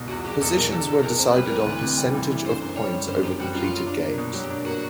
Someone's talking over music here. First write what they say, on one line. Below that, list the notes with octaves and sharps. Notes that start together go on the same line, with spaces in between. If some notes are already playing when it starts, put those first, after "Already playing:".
Positions were decided on percentage of points over completed games.
Already playing: C2 B2
E2 F#4
G#3 G4
E2 A4
B2 A#4
E2 A4
G#3 A4
E2 A#4
C3 C5
G3 B4
A#4
E3
B4
D2
C3
G3
E3
D2
D3 C5
F#2
G3 C#5
F#2
D3 C5
F#2 G4
G3 F#4
F#2 F4
F#3
D4
A#3
B2
F#3 G4
D4
A#3 F#4